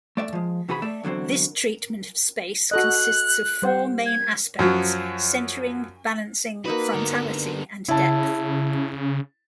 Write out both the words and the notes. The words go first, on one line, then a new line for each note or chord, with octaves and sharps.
This treatment of space consists of four main aspects: centering, balancing, frontality, and depth.
A3 D5 E5
F3 G#3
C3 E3 F#4 G#4 C#5 B5
A3 D5 E5
E2 D3 F#3 C4 E4
F#4 A4 D#5 F#6
G3 C5 F#5
G#6
F#2 F3 F#3
A#3 D#4 F#4 B4
D3 B3
C#3 E4 A5